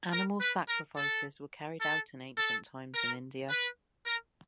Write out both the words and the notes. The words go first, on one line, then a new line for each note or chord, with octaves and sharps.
Animal sacrifices were carried out in ancient times in India.
A#4
B4
A#4
A4
A4
A4
A#4
B4
A#4